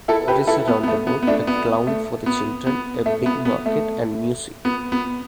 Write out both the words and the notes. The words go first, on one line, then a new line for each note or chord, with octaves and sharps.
There is a roundabout, a clown for the children, a big market and music.
E4 A4
G4 B4
E4 A4
B3
B3
A3
B3
B3
A3 D4
B3
A3
B3
B3
A3
B3
B3
A3
B3
B3